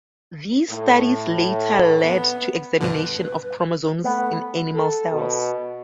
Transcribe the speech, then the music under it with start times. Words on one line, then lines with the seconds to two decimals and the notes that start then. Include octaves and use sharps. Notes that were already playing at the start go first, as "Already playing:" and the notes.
These studies later led to examination of chromosomes in animal cells.
0.70 A2
2.01 B3
2.81 G2 B2 D3 B4
4.04 A3 B3
4.75 A4
5.12 B2